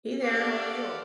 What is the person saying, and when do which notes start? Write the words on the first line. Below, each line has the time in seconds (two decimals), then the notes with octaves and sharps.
Hey there, how are you?
0.23 D4 G4 A4 D5 F5 F#5 A5